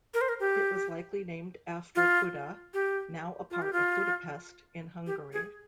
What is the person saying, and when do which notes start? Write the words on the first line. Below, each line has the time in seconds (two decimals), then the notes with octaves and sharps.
It was likely named after Buda, now a part of Budapest, in Hungary.
0.14 A#4
0.21 C5
0.29 A#4
0.40 G4
1.96 F4
2.74 G4
3.51 F4
3.62 G4
3.73 F4
5.07 G4
5.33 G#4